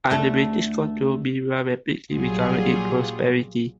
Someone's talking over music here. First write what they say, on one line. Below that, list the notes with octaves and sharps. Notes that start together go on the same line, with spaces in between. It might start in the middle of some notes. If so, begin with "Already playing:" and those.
Under British control Berar rapidly recovered its prosperity.
D2 A3 A4
A#1 F#3 G3 F4 G#4